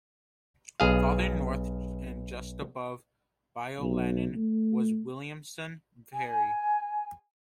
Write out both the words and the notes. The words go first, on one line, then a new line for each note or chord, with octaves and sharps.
Farther north, and just above Bayou Lanan, was Williamson Ferry.
B1 G#4 F5
B1
A3
G#5